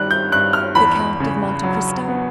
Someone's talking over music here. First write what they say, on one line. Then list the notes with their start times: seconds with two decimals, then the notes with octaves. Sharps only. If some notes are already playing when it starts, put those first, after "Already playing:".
"The Count of Monte Cristo?"
Already playing: G2 D#3 G3 F#6
0.11 G6
0.32 G2 F#6
0.53 F6
0.75 E2 B5
1.20 C#3
1.63 F#3
2.08 B3